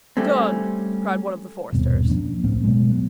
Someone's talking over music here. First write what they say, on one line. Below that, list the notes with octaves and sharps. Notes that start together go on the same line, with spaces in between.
"Done!" cried one of the foresters.
G3 A3 C4 C#4
D#1 G2 B2 C4
F3 A#3 C#4 D4
C#2 A2 A#3 C4
B2 F#3 G#3 A3
F#3 B3